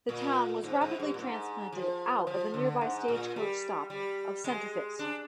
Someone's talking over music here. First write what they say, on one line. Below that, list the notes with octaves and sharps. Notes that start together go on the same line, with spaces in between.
The town was rapidly transplanted out of the nearby stagecoach stop of Senterfitt.
A#2
G#2
G#2
G2
A#2
G#2
F3
F3
D3
G#2
A#2
G3
G3
G#3
D4